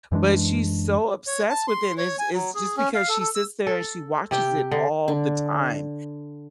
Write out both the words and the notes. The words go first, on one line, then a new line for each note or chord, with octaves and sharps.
But she's so obsessed with it and it's it's just because she sits there and she watches it all the time.
F#2 E3 G#3 D4
C#5
A5
C6
C#5
G#5
F#3
G#4
C#4
F5
A4
A4
E6
A4
C3 G4 G5
D3
D3